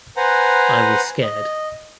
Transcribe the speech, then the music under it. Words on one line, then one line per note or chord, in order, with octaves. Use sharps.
I was scared.
B4 C5 F#5 G#5 A#5
D#5